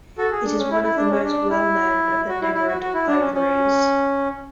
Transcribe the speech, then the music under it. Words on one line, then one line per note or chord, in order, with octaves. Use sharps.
It is one of the most well known of the Nimrud ivories.
F#4 A4
G#4
D4
C#4
E4
E4
D4
C#4
D4
E4
F#4
E4
E4
F#4
F#4
E4
D4
C#4
C#4